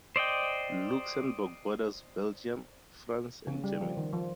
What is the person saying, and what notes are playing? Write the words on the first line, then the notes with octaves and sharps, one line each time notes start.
Luxembourg borders Belgium, France and Germany.
C5 D5 D#5 G5
C#3
G3
F3
D#3
F3